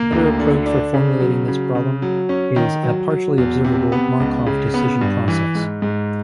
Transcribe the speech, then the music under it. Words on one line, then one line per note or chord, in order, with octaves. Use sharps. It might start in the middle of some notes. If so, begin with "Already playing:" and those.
Another approach for formulating this problem is a partially observable Markov decision process.
Already playing: A#3
D2
D3
D4
C#3
F#3
C#3
C#3
F#3
C#4
D#3
F#3
F#3
E2
C3
B3
C#2
C#3
B3
G2
E3
G#2
G#2